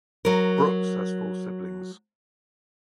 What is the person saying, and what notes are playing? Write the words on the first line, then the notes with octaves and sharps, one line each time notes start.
Brooks has four siblings.
F#3 A#4